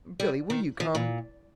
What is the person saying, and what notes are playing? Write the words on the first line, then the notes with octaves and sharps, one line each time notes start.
Billy, will you come?
G3
D#3
F3
A#2